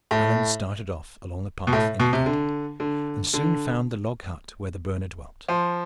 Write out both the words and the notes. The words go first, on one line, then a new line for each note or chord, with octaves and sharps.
Alleyne started off along the path indicated, and soon found the log-hut where the burner dwelt.
A2
B2
A2
B2
C3
D3
D3
D3
F3